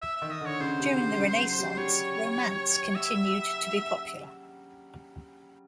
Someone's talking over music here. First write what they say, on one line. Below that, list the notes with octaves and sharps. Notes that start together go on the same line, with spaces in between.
During the Renaissance, romance continued to be popular.
E5
D#3 E5
D#5
D3
C#5
C#3 C5
C3
C3
C#3
F#3
G3
G3 C#5
E5